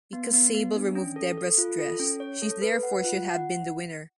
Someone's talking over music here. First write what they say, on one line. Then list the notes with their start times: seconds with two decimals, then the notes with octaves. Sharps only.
Because Sable removed Debra's dress, she therefore should have been the winner.
0.13 B3
0.34 B3
0.55 B3
0.75 D4
0.95 C#4
1.16 A4
1.38 A4
1.58 F4
1.79 A4
2.00 C#4
2.20 C#5
2.42 A4
2.62 B4
2.83 F#5
3.04 F4
3.25 F#5